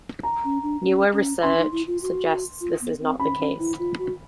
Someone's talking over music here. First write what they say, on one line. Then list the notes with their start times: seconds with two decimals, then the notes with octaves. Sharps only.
Newer research suggests this is not the case.
0.23 A#5
0.44 C#4
0.63 D4
0.83 C#4
1.13 C#4
1.43 C#4 C6
1.58 D#4
1.72 E4
1.87 F4
2.02 F#4
2.61 F4
2.81 B3
3.01 C4
3.20 C#4 B5
3.39 C#4
3.59 E4
3.79 F4
3.98 F#4